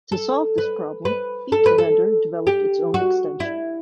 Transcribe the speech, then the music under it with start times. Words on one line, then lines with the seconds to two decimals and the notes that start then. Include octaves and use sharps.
To solve this problem, each vendor developed its own extension.
0.12 A4
0.58 B4
1.05 B4
1.52 A4
1.66 B4
1.78 A4
2.47 G4
2.94 F#4
3.40 E4